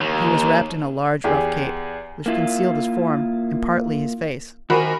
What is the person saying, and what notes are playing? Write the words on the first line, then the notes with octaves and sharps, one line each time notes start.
He was wrapped in a large rough cape, which concealed his form and partly his face.
D#2
E2 G4 G#4
A#3 E4 F4
D#3 F#4 A#4 C5 G#5 B5